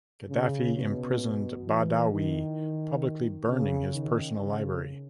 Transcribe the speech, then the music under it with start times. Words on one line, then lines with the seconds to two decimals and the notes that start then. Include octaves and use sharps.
Gaddafi imprisoned Badawi, publicly burning his personal library.
0.29 C#3
0.75 B2
1.66 E3
2.11 D#3
3.48 C#3
3.94 D#3
4.40 C#3